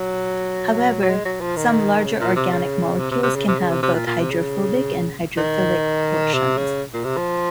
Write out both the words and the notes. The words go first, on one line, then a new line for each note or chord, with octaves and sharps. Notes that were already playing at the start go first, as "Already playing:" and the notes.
However, some larger organic molecules can have both hydrophobic and hydrophilic portions.
Already playing: F#3
F#3
G#3
F#3
F3
D#3
C#3
A#2
C3
C#3
C3
C3
C3
C#3
C3
C#3
C3
C3
A#2
A#2
C3
C#3
D#3
C3
C#3
A#2
C3
F3